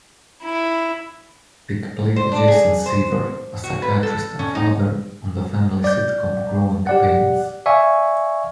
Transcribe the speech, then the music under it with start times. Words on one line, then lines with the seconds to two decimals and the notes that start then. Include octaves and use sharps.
Thicke played Jason Seaver, a psychiatrist and father, on the family sitcom "Growing Pains".
0.44 E4
2.16 C5
2.32 D4
2.48 G#4
2.86 C5
3.64 F#4
3.82 B4
4.03 A4
4.39 C#4
4.55 D#4
5.84 D5 G6
6.87 G4 D5 F#5
7.66 D5 E5 F5 G#5 C#6